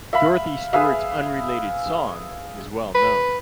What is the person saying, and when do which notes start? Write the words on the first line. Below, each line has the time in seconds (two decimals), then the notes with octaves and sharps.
Dorothy Stewart's unrelated song is well known.
0.13 E5 F5 B5
0.73 G#4 B4 E5 F5
2.95 B4